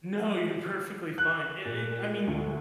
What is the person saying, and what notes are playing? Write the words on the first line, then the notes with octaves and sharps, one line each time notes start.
No, you're perfectly fine. Yea yea i I mean,
F#6
A#2
D2 D3